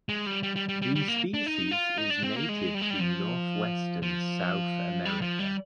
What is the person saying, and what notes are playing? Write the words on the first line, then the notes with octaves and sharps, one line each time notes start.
The species is native to northwestern South America.
G#3
G3
G3
G3
G3
G3
G3
A#3
D4
D#4
F4
D#4
D4
C4
A#3
G#3
G3
G#3
G3
F3
F3
G3
F3
G3